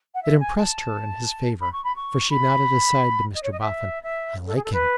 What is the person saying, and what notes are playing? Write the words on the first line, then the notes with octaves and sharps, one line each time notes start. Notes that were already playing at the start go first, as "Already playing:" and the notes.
It impressed her in his favour, for she nodded aside to Mr Boffin, 'I like him.'
F#5
E5
G#5
A5
B5
C#6
B5
C#6
B5
D#5
C#5
D#5
E5
E5
A4
G#4
A4
B4